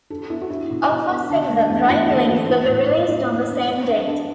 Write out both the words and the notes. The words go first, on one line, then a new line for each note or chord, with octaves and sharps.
A first single, "Growing Wings", will be released on the same date.
D4 A4
B3 E4
F#4
D4 E4
B2
B2
B3
D3 D4
A3
D4
E2
E2 F#4
D3 A4
E2 F#4
D4 E4
A2
D4
F#3 E4
D4
D4
B3
D4
D4